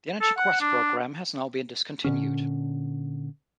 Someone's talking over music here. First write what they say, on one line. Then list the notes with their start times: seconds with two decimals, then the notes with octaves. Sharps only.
The Energy Quest program has now been discontinued.
0.21 A4
0.38 F#5
0.61 D4
2.05 A#2 D3 C#4